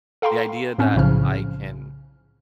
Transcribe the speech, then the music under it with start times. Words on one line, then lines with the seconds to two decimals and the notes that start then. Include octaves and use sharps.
The idea that I can
0.22 A4 F5 G5 A#5 C6
0.78 A2 C4 C#4
0.95 B1 A2 C#3 F3 F6